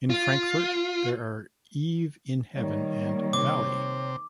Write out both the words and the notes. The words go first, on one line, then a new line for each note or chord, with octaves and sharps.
In Frankfurt there are “Eve in Heaven” and “Valley”.
F4
D#3 G3 A#3 C#5
C3 D6